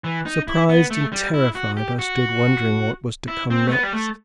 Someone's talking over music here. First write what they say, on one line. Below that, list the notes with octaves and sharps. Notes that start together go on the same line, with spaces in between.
Surprised and terrified, I stood wondering what was to come next.
E3
D#4
E4
B3
A3
G3
E4
F#4
G4
F#4
E4
C4
A3
B3
G3
A3